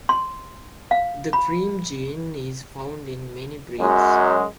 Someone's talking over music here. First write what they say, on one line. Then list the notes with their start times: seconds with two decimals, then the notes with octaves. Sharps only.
The cream gene is found in many breeds.
0.09 C6
0.91 F5
1.33 B5
3.80 F#2 F#3 G#3